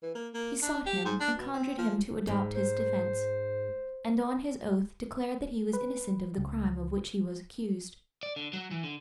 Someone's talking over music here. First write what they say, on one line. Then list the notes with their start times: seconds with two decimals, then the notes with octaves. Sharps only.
He sought him, and conjured him to adopt his defence, and on his oath declared that he was innocent of the crime of which he was accused.
0.02 E3
0.15 A#3
0.34 A#3
0.62 D4
0.86 G4
1.05 G#2
1.20 D4
1.39 B2
1.54 C4
1.78 F3
2.27 G#2
2.54 C5
5.73 B4
6.38 C#2
8.23 D5
8.36 D3
8.53 F#3
8.71 E3
8.83 D3